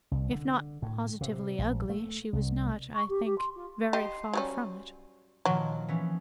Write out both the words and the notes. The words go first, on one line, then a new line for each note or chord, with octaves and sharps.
If not positively ugly, she was not, I think, very far from it.
C2
D3
A2
C3
A#1
A3
C2
C#6
G4
G4
C6
F4
G4 D#5 C6 C7
F#3 G3 C#4
A#2 D#3 F3 F#3
E3 B3 C#4